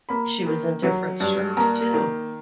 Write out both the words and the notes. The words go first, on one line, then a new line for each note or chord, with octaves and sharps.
She was in Diff'rent Strokes, too.
A#3 B5
D#3
F#3
G2
A#3 A#5
D#3